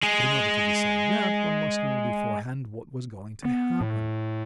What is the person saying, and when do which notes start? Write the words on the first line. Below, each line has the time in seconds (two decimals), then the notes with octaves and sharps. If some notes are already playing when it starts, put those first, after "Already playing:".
But in order to decide that, one must know beforehand what was going to happen.
0.03 G#3 G#4
3.45 B3
3.81 A2